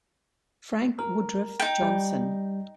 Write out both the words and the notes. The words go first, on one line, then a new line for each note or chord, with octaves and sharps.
Frank Woodruff Johnson.
A#4
D#4 G5
G3